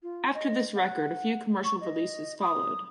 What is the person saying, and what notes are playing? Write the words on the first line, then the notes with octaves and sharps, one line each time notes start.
After this record, a few commercial releases followed.
F4
D#5
F#5
C#6
D#5
D#6